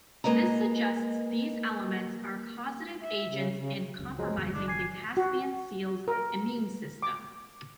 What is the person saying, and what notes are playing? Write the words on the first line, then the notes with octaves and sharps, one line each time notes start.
This suggests these elements are causative agents in compromising the Caspian seal's immune system.
G#3 A#3 B4 D#5 A#5
E5
C#3
C#3
C#2 F#2
F3 F#3 G#3
G1 F2 B2 G#3
G2 E3 D4
G#5 D6 C7
F#4
A#4
D6